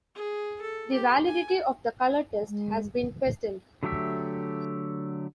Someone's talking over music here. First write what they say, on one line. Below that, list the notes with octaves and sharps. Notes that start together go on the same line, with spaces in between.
The validity of the color test has been questioned.
G#4
A4
G4
G#5
G#3
D3 F#3 A3 G4 E5